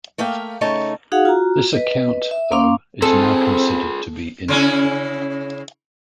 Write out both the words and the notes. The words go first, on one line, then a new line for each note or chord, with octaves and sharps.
This account, though, is now considered to be in error.
A3 A#3 E5 F5 G5
C#3 A3 D#4 C#5 A5
D#4 F#4 G#4 F5 F#5
F4 F#4 A#5
B4 D#5
E5
A#3 C#4 F5 C6 D6
C4 F4 G#4 A4 G#5
C#3 C#4 E4